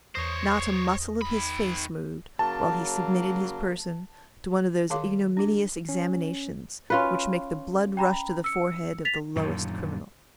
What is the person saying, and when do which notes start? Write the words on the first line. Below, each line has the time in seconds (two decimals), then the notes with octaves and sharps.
Not a muscle of his face moved while he submitted his person to one of those ignominous examinations which make the blood rush to the forehead of the lowest criminal.
0.15 E2 C5 C#5 D#6 A#6
1.21 D#3 B5
2.39 C#3 F#3 A#3 A5
4.90 D#3 G#4 C#5 F5 C6 D6
5.37 D4 G4
5.89 C#4
6.90 C#4 F4 B4
7.97 G5 A#5 B5
8.44 E6 C#7
9.05 A6 B6 F7
9.36 F#2 A#2 D3 D#3